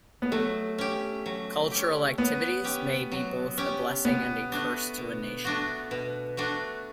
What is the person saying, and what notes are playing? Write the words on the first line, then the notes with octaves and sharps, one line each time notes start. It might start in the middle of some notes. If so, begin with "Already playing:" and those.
Cultural activities may be both a blessing and a curse to a nation.
B3
F#3 A3
C#4 G4
F#3
C#4 G4
F#3 B3
C#4 G4
F#3
C#4 G4
B2 B3
A3 D4 F#4
B2
A3 D4 F#4
B2
A3 D4 F#4